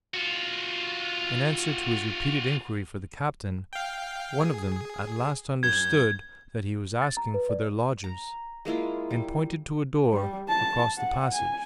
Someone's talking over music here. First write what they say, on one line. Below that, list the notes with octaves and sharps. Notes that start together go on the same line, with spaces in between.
In answer to his repeated inquiry for the captain, one of them at last understood that he was asking for their lodgers, and pointed to a door across the passage.
F4 F#4
F5 G5
G#4
F#2 G6 G#6
A6
A#5
B4
D5
A#5
G#3 A#3 E4 F4
G3
G3
A5
F#5
G#5